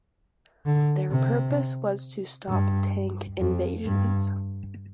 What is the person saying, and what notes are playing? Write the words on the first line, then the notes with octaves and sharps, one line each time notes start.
Their purpose was to stop tank invasions.
D3
C3
G2
F2
G2